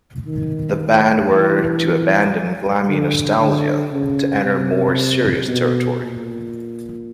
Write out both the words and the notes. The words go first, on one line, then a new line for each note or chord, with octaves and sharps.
The band were to abandon glammy nostalgia to enter more serious territory.
D#3
E3
D3
D3
C#3
C3
B2
A#2